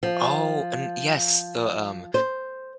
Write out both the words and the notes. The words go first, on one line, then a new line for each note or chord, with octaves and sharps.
Oh, and yes. The, um,
F3
C5